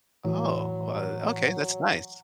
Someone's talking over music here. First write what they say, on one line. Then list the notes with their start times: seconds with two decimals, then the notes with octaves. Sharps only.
Oh, uh, okay, that's nice.
0.25 A2 E3 F#3 F#4